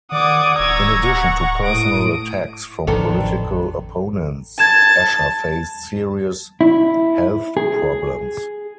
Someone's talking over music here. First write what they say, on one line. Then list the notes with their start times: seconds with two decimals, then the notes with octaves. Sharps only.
In addition to personal attacks from political opponents, Escher faced serious health problems.
0.12 D#3 D5 F#5 D6 D#6 G#6
0.59 D1 A#5 C#6 E6 G#6
1.02 F#5
1.65 A2 D#6 D7
2.87 A1 F2 D3 D#3 A4
4.59 A5 G#6 E7
6.61 E4
7.57 G#4